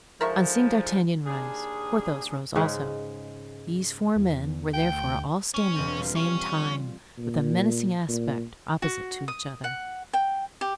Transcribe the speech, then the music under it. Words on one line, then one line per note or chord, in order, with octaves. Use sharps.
On seeing D'Artagnan rise, Porthos rose also; these four men were therefore all standing at the same time, with a menacing aspect, opposite to each other.
G#2 D3 F3 A#4 E5 C#6
D#2 D4 G#4
G#2 C#3 G#3
E2
D2 G5
C#4
E1 C4
G3 F4
C#4
A#2
A#2
F#4
D#6
F#5
G5
G4